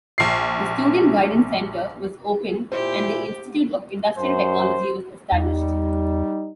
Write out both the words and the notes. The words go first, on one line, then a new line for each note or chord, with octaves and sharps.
The Student Guidance Center was opened and the Institute of Industrial Technology was established.
A#1 C7
A#2 E4 G4 C5
F#2 C5
E2 G3 D#4